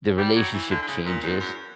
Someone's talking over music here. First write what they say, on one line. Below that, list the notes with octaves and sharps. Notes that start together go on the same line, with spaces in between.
the relationship changes
G3
F#3
E3
D3
D3
C#3
A#2
E2
F#2